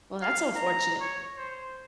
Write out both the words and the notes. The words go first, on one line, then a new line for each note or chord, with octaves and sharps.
well, that's unfortunate.
F5
A#5
C#5
C5